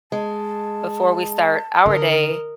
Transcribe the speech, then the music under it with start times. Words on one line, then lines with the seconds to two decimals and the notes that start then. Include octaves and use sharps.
before we start our day,
0.12 G#3 A5
1.86 D3 A#4 D#5